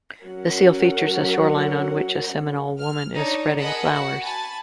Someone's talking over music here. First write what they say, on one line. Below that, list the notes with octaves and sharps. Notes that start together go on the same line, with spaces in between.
The seal features a shoreline on which a Seminole woman is spreading flowers.
F#3 C#4 A#4 F#5
F6
D4 D#4 C#5
G#4 A#4 D#5 F#5 A5 B5
F#4 F#5
G#5 A5 B5 A6